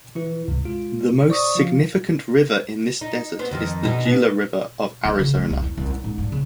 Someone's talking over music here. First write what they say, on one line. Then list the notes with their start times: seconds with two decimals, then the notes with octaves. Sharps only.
The most significant river in this desert is the Gila River of Arizona.
0.15 E3 E4 B4
0.48 C#2 G2 C3
0.64 G#3 F4
1.29 C5 D5 C#6 D#6
1.55 F3 F4 F5
3.01 D#4
3.39 B3 C4
3.51 F2 D#3
3.84 B2 D#4
4.05 B3
5.05 D3
5.19 C#3
5.35 G#3
5.50 C2
5.62 E2
5.77 C2
5.90 C#4
6.04 G#2
6.18 G2
6.32 C#3